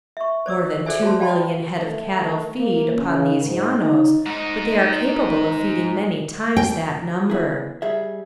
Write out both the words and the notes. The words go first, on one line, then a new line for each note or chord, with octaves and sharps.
More than two million head of cattle feed, upon these llanos, but they are capable of feeding many times that number.
E5 C#6
C5 D5 D6 E6
G#4 A4 C5 D5 E5 G#5
F#4 C#5 A5 C6
D5 F5 G5 A5 B5 C6
A3
A#3
C#3
G#2
D#4
G#2 D#4
G5
B3 E4 G#4
G3 G#4 E5